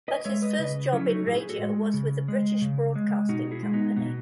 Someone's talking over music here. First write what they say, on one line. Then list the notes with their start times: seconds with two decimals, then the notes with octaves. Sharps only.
But his first job in radio was with the British Broadcasting Company.
0.08 B4 D#5
0.25 G#3 C#5 E5
0.42 B4 D#5
0.59 C#3 B4 D#5
0.93 F#3 A3 C#4 E4
1.05 E4
1.10 D#4 F#4
1.26 A2 E4 G#4
1.49 F#4 A4
1.60 G#3
1.94 C#3
2.28 G#3
2.62 C#3
2.96 G#3
3.29 B2 D#4 F#4
3.51 E4 G#4
3.63 G#3
3.73 B3 D#4
3.97 B2 B3 D#4